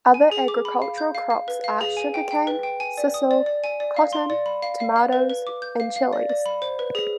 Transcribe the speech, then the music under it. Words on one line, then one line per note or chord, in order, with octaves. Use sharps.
Other agricultural crops are sugar-cane, sisal, cotton, tomatoes and chillies.
G#5
G#4
D6
B5
F5
G6
F5
F5
B4
F5
G#4
G#5
G5
G5
B4
G5
G#5
D5
D#6
D5
D5
G#5
D5
F5
C6
D5
B5
F5
F5
F5
B4
B4
D6
G6
F5
F5
D5
D5
B5
C5
B4
G#4